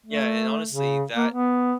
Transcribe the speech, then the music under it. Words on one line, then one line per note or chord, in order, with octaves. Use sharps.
Yeah, and, honestly, that
A3
C#3
A#3
B3